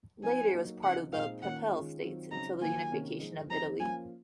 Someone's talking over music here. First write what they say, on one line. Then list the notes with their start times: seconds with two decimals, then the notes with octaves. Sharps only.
Later it was part of the Papal States until the unification of Italy.
0.23 F3 C4 D#4 G#5
0.53 F#3 A#3 D#4
0.83 C#3 F3 C4 D#4 F#5
1.12 A#2 G#3 C4 D#4 F5
1.42 D#3 A#3 C#4 F4 F#5
1.72 D#3 G#3 C#4 F4
2.02 D#3 F#3 C4 F4
2.31 C#3 F#3 C4 D#4 A#5
2.61 D#3 F#3 A#3 F4 G#5
2.91 C3 D#3 A#3 C#4
3.20 F3 G#3 D#4
3.50 F3 C4 D#4 A#5
3.80 F3 A#3 C#4 F4 G#5